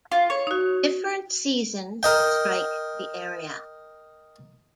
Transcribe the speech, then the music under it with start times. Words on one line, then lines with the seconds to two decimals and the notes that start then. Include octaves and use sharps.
Different seasons strike the area.
0.12 F4
0.30 C#5
0.47 D#4 F#4
2.03 A#4 D#5 G5